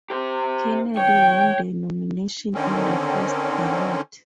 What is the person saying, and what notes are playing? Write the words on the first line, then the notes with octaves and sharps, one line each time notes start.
Kennedy won the nomination on the first ballot.
G4 C5
C#5 G5
D3 D#3 C4 C#4